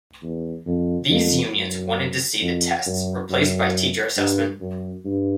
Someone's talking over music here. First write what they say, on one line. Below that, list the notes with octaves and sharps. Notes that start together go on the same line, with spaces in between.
These unions wanted to see the tests replaced by teacher assessment.
E2
F2
F2
F#2
F2
F#2
F#2
G2
F#2
G2